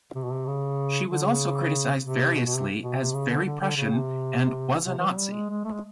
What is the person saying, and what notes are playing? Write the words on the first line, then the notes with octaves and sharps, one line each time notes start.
She was also criticized variously as "very Prussian" and "was a Nazi".
C3
B2
C3
C#3
D3
C#3
C3
B2
B2
C3
B2
C3
C#3
D3
D3
D3
C#3
C3
C3
E3
F#3
G3
G#3
G#3
A3
G#3